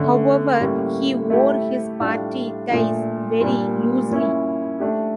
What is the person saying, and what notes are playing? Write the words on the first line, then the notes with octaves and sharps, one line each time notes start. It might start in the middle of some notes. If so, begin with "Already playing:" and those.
However, he wore his party ties very loosely.
Already playing: D3 A3 C#4
A2 G3 A#3 C#4 G4
A3 E4 G4
A2 G3 D4 F4
A#2 F3 A3 D4
A#2 G3 A#3 D4
F3 A#3 C#4 E4
A3 D4 G4